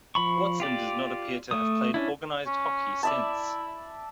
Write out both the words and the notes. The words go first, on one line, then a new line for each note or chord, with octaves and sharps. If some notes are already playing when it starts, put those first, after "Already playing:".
Watson does not appear to have played organized hockey since.
F3 B5 C#6
F4 G4 D5
A3 D#6
C#4 D4 E4
C#4
E4 D5 E5 A5